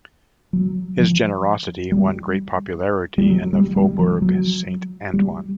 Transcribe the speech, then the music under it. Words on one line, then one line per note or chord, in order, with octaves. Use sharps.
His generosity won great popularity in the Faubourg Saint Antoine.
F#3
F3
G3
G3
F#3
G3
G3
F3
F#3
G3